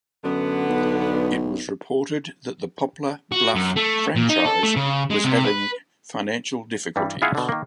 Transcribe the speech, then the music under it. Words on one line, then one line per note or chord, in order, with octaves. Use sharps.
It was reported that the Poplar Bluff franchise was having financial difficulties.
F#2 D3 B3
B1
F#4
F#2
A3
A#2
D#4
A4
A3
C#3
G#3
C3
B4
G2 E3 G3
E4 F4 G#4 F5 F#5
B2 D3
D#3 A#3